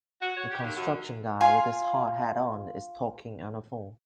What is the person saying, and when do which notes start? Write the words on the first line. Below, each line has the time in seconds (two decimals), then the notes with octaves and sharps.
A construction guy with his hard hat on is talking on the phone.
0.21 F#4
0.34 C#5
0.49 G4
0.61 D#2
0.74 F#2
1.41 F4 F5 G#5 C6